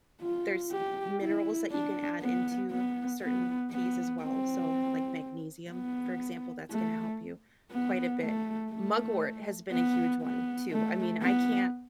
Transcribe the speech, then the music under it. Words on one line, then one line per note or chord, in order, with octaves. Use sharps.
There's minerals that you can add into certain teas as well, so, like magnesium, for example, that's gonna help you quite a bit. Mugwort has been a huge one too. I mean, I can't
F4
G4
E4
D4
B3
B3
B3
B3
C4
B3
A3
B3
A3
A3
B3
B3
A3
B3